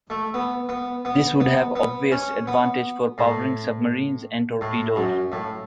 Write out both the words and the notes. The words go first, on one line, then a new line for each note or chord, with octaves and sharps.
This would have obvious advantages for powering submarines and torpedoes.
A3
B3
B3
B3
B3
B3
C#4
B3
A2
A2
F#2
A2